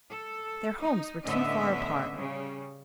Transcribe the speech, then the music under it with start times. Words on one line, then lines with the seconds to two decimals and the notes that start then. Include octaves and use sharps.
Their homes were too far apart.
0.11 A4
0.79 D#4
1.25 A2 D3 B3 C#4 D#5 E5
2.15 C#3 G3